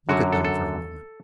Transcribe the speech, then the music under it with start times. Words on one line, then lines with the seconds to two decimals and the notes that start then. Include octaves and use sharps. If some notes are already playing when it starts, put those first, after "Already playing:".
Look at them for a moment.
0.09 F#2 D3 F#3 F#4
0.32 A4
0.44 A4